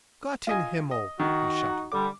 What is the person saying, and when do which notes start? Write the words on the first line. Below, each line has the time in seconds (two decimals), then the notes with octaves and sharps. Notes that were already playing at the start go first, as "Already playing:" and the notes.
"Gott in Himmel!" he shouted.
0.47 F4 D#5 G#5
0.91 D#5
1.19 D#3 D#4 F#4
1.92 D3 G3 D6